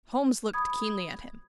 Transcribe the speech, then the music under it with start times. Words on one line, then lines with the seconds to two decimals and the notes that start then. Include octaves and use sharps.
Holmes looked keenly at him.
0.54 B5 D#6 G#6